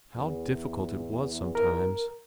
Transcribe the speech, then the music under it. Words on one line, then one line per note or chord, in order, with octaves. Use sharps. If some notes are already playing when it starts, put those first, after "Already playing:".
How difficult it was sometimes.
E2
A#4